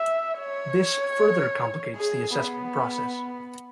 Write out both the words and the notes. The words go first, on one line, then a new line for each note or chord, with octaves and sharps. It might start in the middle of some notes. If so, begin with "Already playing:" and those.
This further complicates the assessment process.
Already playing: E5
C#5
G#4
B3